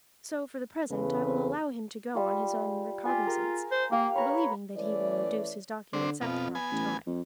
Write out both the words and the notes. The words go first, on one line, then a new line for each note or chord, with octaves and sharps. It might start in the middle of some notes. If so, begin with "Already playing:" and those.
So, for the present, I will allow him to go on his own recognizance, believing that he will adduce his documents at the proper time.
E2 C#3 A4 B4
G3 F4
F4 G4 G#5
G#4 A#4
C5
A#3 G4 F5 G5
B4 C#5 A#5 B5
E3 A3 C#4 C#5 D5
D3 C4 D4
F2 B2 F3
B3 G#5
A1
F2